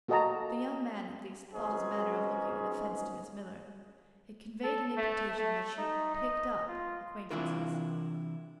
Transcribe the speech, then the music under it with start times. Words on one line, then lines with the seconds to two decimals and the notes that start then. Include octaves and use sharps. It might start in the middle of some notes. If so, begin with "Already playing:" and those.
The young man, at least, thought his manner of looking an offense to Miss Miller; it conveyed an imputation that she "picked up" acquaintances.
0.08 A#3 F#4 A4 D#5 A5 A#5
1.54 G#1 C#2 G#2 B2 C#4 G#4
4.64 A4
4.97 A3
5.38 A3
5.78 D#4
6.15 D#5
6.68 F4
7.30 C3 E3 D4 E4 F4 A#4